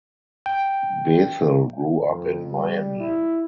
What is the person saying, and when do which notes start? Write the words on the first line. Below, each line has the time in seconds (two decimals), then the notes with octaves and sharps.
Bethel grew up in Miami.
0.46 G5
2.09 F2
2.52 G3
3.00 E4